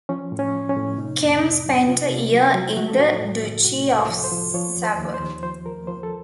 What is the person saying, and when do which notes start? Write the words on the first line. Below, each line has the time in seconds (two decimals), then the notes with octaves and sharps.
Cem spent a year in the Duchy of Savoy.
0.09 F3 C#4
0.32 A2
0.39 C#4
0.54 F3
0.69 C#4
0.76 A2
0.98 C3 D#4
1.21 F2
1.43 C3
1.66 F#3
1.87 C3 F4
2.10 C3
2.32 F#3
2.55 F#3
2.76 F3 F#4
2.88 A4
2.99 A2 F#4
3.20 A2
3.43 A2
3.65 C3 F#4
3.87 C#2
3.96 A4
4.10 F3
4.24 C5
4.32 F3
4.54 F3 C#5
4.77 D#2
4.83 C5
4.99 D#2
5.14 C5
5.20 D#2
5.43 F3 C5
5.65 F3 A#4
5.87 F3 C5
6.03 A4